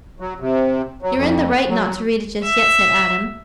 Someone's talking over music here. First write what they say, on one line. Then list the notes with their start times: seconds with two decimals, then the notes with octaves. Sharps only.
"You're in the right not to read it just yet," said Adam.
0.20 F#3
0.40 C3
1.02 F#3
1.16 F2
1.69 F#3
2.44 E5